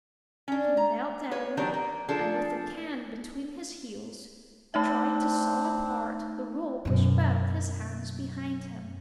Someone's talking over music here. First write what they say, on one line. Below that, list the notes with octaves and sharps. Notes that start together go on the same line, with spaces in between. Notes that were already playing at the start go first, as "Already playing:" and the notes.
He knelt down, and with the can between his heels, tried to saw apart the rope which bound his hands behind him.
C#4 D4
A#5
B4 C#5
D#3 F#3 C4 D4 G4 A#4
A#3
F3 D4 G#4 A4
A3 C4 D4 D#4 E5
F#2 B2